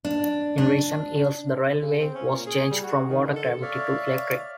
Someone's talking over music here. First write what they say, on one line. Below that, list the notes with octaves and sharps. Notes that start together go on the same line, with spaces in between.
In recent years the railway was changed from water gravity to electric.
D4
D4
C#3
C4
C#4
A#2
G#4
G3
F#4
D#3
D3
A4
C#5 D5 E5 F5